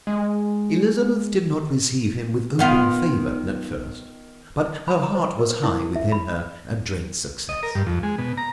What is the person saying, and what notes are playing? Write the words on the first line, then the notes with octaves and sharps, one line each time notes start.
Elizabeth did not receive him with open favor at first; but her heart was high within her at Drake's success.
G#3
D#3 B3 F4
B5
A#5
C5
A#4
B4
E4
E5
B5
D#5
A#4
G2
F2
G#3
B2
A#5